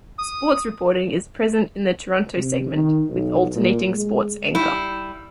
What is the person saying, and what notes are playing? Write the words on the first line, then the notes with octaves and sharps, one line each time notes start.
Sports reporting is present in the Toronto segment with alternating sports anchor.
D#6
C3
D#3
B1
A#2
G#3
G3 E4